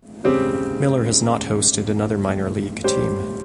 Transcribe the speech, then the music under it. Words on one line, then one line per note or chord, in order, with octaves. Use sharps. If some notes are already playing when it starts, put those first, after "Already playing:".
Miller has not hosted another minor league team.
C#3 G3 C4 G4
G3 C#4 G4 C5